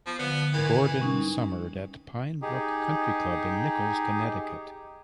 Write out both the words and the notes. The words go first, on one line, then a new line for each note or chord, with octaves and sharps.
Gordon summered at Pine Brook Country Club in Nichols, Connecticut.
F3 B3
D3 F3 B3
G#2 E3 A#4 G#6
G3 C#4 D#4
D#4 G4 G#4